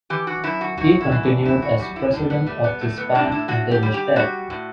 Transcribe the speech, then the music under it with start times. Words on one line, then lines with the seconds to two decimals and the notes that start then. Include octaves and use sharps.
He continued as President of this bank until his death.
0.10 E3 G4
0.27 F#4
0.44 F#2 E4
0.61 F#4
0.77 F#2 F#4
1.00 E4
1.11 E3
1.23 D4
1.45 F#2 E4
1.62 F#4
1.79 G3 F#4
1.96 E4
2.13 A2 D4
2.30 B3
2.46 G3 A3
2.64 B3
2.81 A2 A3
2.98 B3
3.15 A2 D4
3.32 E4
3.48 A2 F#4
3.71 G4
3.83 G3
3.94 G4
4.16 G3 F#4
4.50 A2